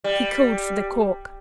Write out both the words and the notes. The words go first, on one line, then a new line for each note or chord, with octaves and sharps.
He called for the cork.
G3